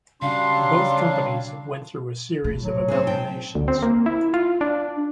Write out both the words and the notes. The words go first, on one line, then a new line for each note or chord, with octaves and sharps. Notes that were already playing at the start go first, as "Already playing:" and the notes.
Both companies went through a series of amalgamations.
C#3 F#3 G3 D4 F5 C6
A2
F#3
C4 C#4 G#4
G5 A5
D2
C4
A#3
E4
F4
D4